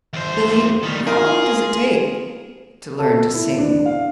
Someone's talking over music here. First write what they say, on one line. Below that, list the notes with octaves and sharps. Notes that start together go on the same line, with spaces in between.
"Billy, how long does it take--to learn to sing?"
E2 C5
D#3 G3
G#4 A#4 F5 C6
A4
E4
D4
F5